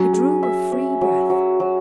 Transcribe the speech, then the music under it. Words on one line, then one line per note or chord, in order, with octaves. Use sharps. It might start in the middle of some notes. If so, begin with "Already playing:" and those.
He drew a free breath.
Already playing: F#3 C#4
G#4
E5
C#4
F#3
F#3
F#3